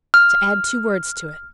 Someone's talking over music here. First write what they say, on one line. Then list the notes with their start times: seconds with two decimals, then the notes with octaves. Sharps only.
"To add two words to it."
0.14 F6